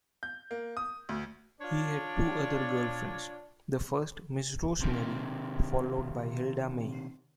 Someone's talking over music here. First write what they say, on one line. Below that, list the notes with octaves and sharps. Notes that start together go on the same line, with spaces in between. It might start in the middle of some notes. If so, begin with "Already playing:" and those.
He had two other girlfriends; the first Miss Rosemary followed by Hilda May.
G6
A#3
D#6
D2
D4 F4 C#5 D5
C3 D#3